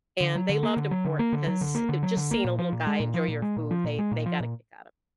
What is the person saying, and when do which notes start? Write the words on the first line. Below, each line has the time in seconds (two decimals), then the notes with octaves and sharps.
and they loved him for it because it just seeing a little guy enjoy your food, they they got a kick out of it.
0.21 D3
0.35 F#3
0.49 D3
0.63 A#3
0.77 D3
0.91 F#3
1.05 D3
1.19 A#3
1.32 D3
1.47 F#3
1.61 D3
1.75 A#3
1.89 D3
2.03 F#3
2.17 D3
2.31 A#3
2.45 A#2
2.58 F3
2.73 A#2
2.87 G#3
3.00 A#2
3.14 F3
3.28 A#2
3.42 G#3
3.57 A#2
3.71 F3
3.84 A#2
3.99 G#3
4.12 A#2
4.26 F3
4.40 A#2